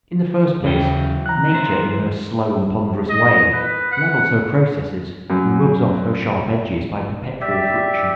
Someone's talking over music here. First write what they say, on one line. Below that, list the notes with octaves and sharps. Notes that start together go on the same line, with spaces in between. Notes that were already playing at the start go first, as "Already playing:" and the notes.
In the first place nature in her slow and ponderous way levels her processes and rubs off her sharp edges by perpetual friction.
D#2 C#3 E3 F#3 G5
A#5 F#6
E3 C5
D#5
B4
F#5
F#2
G4 D5 E5